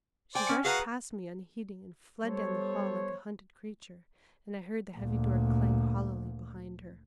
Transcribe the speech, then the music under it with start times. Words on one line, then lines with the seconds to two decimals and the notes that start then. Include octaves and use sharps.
She rushed past me unheeding, and fled down the hall like a hunted creature, and I heard the heavy door clang hollowly behind her.
0.35 C5 D5 G5 G#5
0.49 C#4
0.65 F#4 G#4 B4 F5 F#5 A#5
2.24 G3 B3 A4 C5 C#5
4.97 D2 A#2